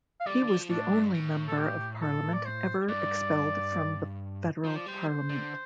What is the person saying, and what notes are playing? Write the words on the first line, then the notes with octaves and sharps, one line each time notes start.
He was the only Member of Parliament ever expelled from the Federal Parliament.
F5
G3 D5
D3
F3
A2 D4
G2
A2
A4
G4
A4
D5
C5
G2 D5
F3 C5
D5
G3 C5
D3